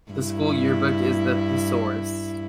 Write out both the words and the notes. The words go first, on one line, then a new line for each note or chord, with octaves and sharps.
The school yearbook is the "Thesaurus".
G2 E4